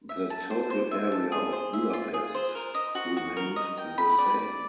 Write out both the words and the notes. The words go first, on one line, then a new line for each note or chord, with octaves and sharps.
The total area of Budapest remained the same.
E5
A5
C5
C5
E5
A5
G#4
C5
E5
F4
G#4
C5
A#4
D#5
F#4
F#4
A#4
D#5
G5
B5
D5
D5